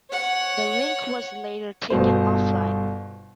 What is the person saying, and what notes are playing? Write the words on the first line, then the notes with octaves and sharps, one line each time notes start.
The link was later taken offline.
C#5 F#5
G1 B2 C5